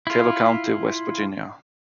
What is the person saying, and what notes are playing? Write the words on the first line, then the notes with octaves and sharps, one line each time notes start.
Taylor County, West Virginia.
E4 F4